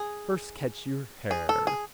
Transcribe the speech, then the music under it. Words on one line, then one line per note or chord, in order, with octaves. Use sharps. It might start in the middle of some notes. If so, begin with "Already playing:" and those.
First catch your hare.
Already playing: G#4
G#4
A4
G#4